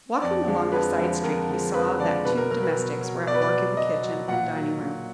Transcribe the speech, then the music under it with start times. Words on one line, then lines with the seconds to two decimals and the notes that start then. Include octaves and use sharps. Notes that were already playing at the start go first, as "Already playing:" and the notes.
Walking along the side street he saw that two domestics were at work in the kitchen and dining room.
0.22 F2 D5
0.47 D3 F3 G#3
0.72 F2 B4
0.98 D3 F3 G#3
1.24 F2 A#4
1.48 D3 F3 G#3
1.74 F2 B4
1.99 D3 F3 G#3 D5
2.25 B2 B4
2.37 A#4
2.50 F#3 A#4
2.63 B4
2.76 B2
3.01 F#3
3.27 B2 D5
3.34 B4
3.42 D5
3.52 F#3
3.77 B2 D#5
4.03 F#3
4.28 A#2 F#5
4.54 F#3
4.79 A#2